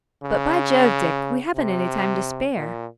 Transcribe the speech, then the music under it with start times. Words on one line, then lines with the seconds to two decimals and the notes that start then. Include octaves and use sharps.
But, by Jove, Dick, we hadn't any time to spare.
0.22 C#3
1.55 C3
2.56 A#2